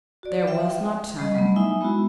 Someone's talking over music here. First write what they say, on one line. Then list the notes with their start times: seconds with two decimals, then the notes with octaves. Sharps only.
There was not time.
0.23 F#4 D5
0.47 E5 G5
1.19 G3 D#5
1.34 F#3 G3 A3 B3
1.56 D#4 E4 E5 G#5
1.81 G#3 B3 E4 F#4